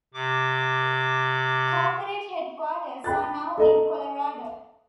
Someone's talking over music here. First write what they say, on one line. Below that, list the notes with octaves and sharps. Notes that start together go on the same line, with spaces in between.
Corporate headquarters are now in Colorado.
C3 D6
G5 B5 F#6 A6
A4 D#5 A#5